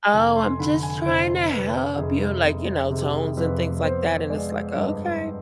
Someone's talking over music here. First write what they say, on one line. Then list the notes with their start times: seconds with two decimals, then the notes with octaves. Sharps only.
"Oh, I'm just trying to help you," like, you know, tones, and things like that, and it's like, "Okay."
0.13 F1 G#5
0.36 C6
0.59 D3 B5
0.83 G#5
1.06 F1 C5
1.52 F1 B4
1.98 F1 G#4
2.45 C3
2.90 C3 G#4
3.01 G4
3.11 G#4
3.37 F2 B4
3.83 B3 C5
4.30 G#3 D5
4.75 G2 D#5